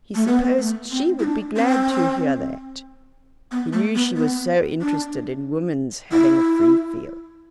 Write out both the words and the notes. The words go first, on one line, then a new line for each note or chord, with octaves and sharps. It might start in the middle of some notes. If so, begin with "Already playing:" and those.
He supposed she would be glad to hear that--he knew she was so interested in woman's having a free field.
A3
B3
A3
C4
E4
D4
C4
B3
A3
B3
B3
D4
E4